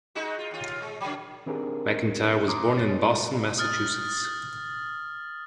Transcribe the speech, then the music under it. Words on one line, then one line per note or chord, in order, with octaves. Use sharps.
McIntyre was born in Boston, Massachusetts.
G#3 D#4 F#4
F4
D#2 F4
G#3
C#3 F#3
D#3 C4 D4 G4 G#4 A#4
A#5 C6 D6 D#6
F#2 C#5 A6
D#6 F6 A6